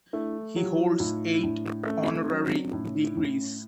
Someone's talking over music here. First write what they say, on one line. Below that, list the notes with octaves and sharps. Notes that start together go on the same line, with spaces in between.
He holds eight honorary degrees.
A3 D4 E4
F#3 F4 G4
E4 F#4
A2 D#4 F4
A2 D4 E4
A3 C#4
C4
F#3 C#4
C4 D4
A2 C#4 D#4
D4 E4
A2 C#4
C#4